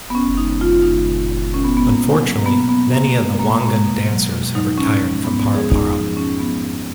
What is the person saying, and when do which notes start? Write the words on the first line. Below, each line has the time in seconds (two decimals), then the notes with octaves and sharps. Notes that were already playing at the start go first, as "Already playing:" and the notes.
Unfortunately, many of the wangan dancers have retired from ParaPara.
0.10 B3
0.14 F2 C#4
0.37 C#3 G#3 D#4
0.60 F2 F4
0.83 C#3 G#3 D#4
1.06 A#2
1.30 G#3
1.54 A#2 C#4
1.64 B3
1.77 G#3 B3
1.88 A#3
2.00 B2
2.22 F#3
2.39 A#3
2.46 B2 B3
2.69 F#3 B3
2.92 B2 A#3
3.16 G#3
3.39 B2 A#3
3.62 G#3 A#3
3.85 B2
4.08 F#3
4.31 B2
4.55 F#3 D#4
4.78 G#2 C#4
5.01 F3 G#3
5.24 G#2 B3
5.40 B3
5.47 F3 G#3
5.55 G#4
5.70 F2 D#4
5.93 F3 G#3
6.17 F2 C#4
6.40 F3 G#3 B3
6.62 F#2